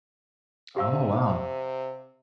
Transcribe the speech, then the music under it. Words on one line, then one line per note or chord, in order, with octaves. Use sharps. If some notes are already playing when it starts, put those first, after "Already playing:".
Oh, wow.
C3 G4 F5 E6